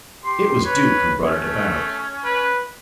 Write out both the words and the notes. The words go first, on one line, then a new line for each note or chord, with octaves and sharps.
It was Duke who brought it about.
G4 C6
B4 C#5
A3 C#4
B4